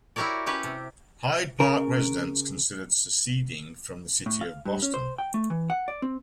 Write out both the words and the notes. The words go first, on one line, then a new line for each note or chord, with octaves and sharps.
Hyde Park residents considered seceding from the City of Boston.
E4 F#4 G4 A#4 C#5 D5
C#4 G4 B4 C#5
C3
C#3 A#4
A2
F5
G2
C#4
C5
G5
A3
E3
F#5
D5
C4